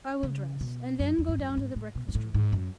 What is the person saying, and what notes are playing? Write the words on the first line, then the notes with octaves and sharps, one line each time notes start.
I will dress, and then go down to the breakfast-room.
C#3
B2
F#2
E2
G#2
F#2
A2
G#2
A2
B2
G#2
A2
G#2
F#2